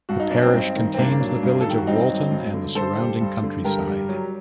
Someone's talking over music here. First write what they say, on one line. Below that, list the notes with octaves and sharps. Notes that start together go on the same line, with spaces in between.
The parish contains the village of Walton and the surrounding countryside.
G2 F#4
D#4
F#3 D4
C4 D#4
G2
D#3
C4
G2 A#3 D4
F#3
G2
A4
D#3
G4
F#4
G2 C4 D#4
F#3
G2
D3
G2 A4 C5
G3
G2
D3
G2 G4 A#4
G3
F#3